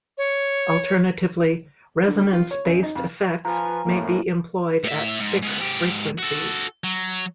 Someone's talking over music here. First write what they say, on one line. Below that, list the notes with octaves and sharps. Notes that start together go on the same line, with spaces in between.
Alternatively, resonance based effects may be employed at fixed frequencies.
C#5
D3
G3
F4
C#5
F#2
D#4
F2
F3 F4 B4 G#5 A#5
G#1 F#2 A2 A#3
A2 E5
G#2
G#2 B3
G#2 G4
F#4 A4
F#3